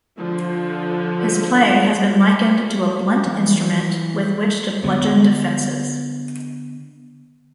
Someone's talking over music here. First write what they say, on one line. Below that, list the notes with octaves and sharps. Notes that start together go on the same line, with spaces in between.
His play has been likened to "a blunt instrument with which to bludgeon defences".
D3 F3
E3
D3 B3